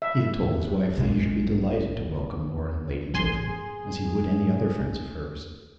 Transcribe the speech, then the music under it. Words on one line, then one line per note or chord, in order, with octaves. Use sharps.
He had told his wife that he should be delighted to welcome Lord and Lady Chiltern,--as he would any other friends of hers.
E5
A#1 A#2 G#3
A1 G#4 G#5 C6